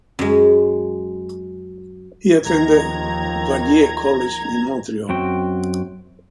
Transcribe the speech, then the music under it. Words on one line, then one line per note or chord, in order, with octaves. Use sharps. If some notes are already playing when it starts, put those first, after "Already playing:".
He attended Vanier College in Montreal.
F#2 G#3
D#2 D#3 F3 A#5 G#6
F#2 C4 F#4 G5